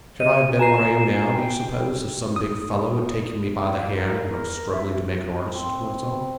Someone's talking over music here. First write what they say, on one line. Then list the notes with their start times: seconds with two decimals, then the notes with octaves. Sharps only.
Should I have been what I am now, do you suppose, if some big fellow had taken me by the hand when I was struggling to make an artist of myself?
0.20 D#5 D#7
0.59 G#5 A#5 C7 E7
1.33 G5
2.36 D#6
3.73 F5
3.95 A#4
4.26 A#4
4.71 E5
5.55 C4